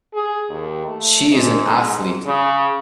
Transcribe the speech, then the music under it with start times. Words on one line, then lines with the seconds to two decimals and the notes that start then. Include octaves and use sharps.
She is an Athlete.
0.14 G#4
0.49 D#2
0.87 A3
1.30 G#2
2.26 C#3